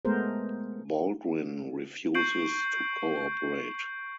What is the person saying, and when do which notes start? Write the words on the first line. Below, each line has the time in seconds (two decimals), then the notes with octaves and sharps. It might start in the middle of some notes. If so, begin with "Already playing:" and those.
Baldwin refuses to cooperate.
0.05 G#3 A3 B3 G#4 A#4 C5
2.15 C#6 G6 C7 D7 F#7